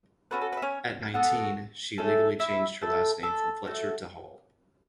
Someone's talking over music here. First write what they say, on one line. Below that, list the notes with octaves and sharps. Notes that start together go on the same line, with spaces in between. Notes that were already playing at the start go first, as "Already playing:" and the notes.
At nineteen, she legally changed her last name from Fletcher to Hall.
C#4 F#4 A4 B4
A4
B4
E5
C#4 C#5
B3 F#4 A4 F#5
A3 C#4 A4
E4 E5
A3 E4 A4
A4
A3 F#4 A4